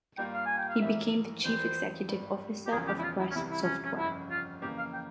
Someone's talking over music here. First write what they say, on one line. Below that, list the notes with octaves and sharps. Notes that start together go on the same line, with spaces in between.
He became the Chief Executive Officer of Quest Software.
G2 G3 A#3 F4 G5
F5
G#5
G5
F5
A#1 G#2 E3 A#3 E4 E5
E2 E3 G3 C4 C5
G#1 G2 G3
G4
E1 E2 C#3 F3 G#4
G4
E4
F4
E4
C#4
C2 C3 E3 E4
E4
C#4
C#4
G1 F2 C#3 E4
F4
F2 C#3 E3 A#3 G4
F5
G5